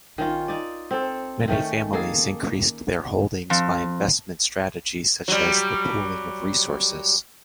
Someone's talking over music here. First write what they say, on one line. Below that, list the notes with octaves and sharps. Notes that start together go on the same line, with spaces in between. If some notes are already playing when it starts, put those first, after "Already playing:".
Many families increased their holdings by investment strategies such as the pooling of resources.
D#3 C#4 F4
D#4 D5
C4 A4
D#3 A3 C#4
A#3 G#4 A4
F2
F#3 G3